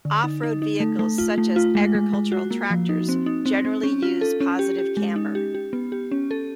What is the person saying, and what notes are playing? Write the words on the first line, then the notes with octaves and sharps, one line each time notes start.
Off-road vehicles such as agricultural tractors generally use positive camber.
D3
D#4
D#4
D#4
A3
A3
F4
A3
F4
G#3
G#3
G#3
F#4
A#3
F3
D#4
C4
D#4
C4
C4
C#4
F4
A4
C#4
G4
G4
G#3
D#4
G4
G4
B3
G4
C#4
A4